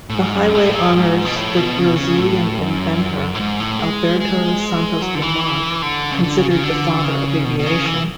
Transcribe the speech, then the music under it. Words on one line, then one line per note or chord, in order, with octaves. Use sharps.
The highway honours the Brazilian inventor Alberto Santos-Dumont, considered the "father of aviation".
A2
G#2
F#2
A2
F#2
G#2
B2
A2
B2
C#3
B2
C#3
A2
F#2
A2
G#2
A2
G#3
G#3
F#3
D3
E3
D3
C#3
D3
C#3
C#3
D3
C#3
B2
B2
C#3
E3